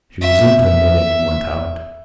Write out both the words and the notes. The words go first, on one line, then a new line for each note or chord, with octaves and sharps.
She resumed her knitting and went out.
E5
E5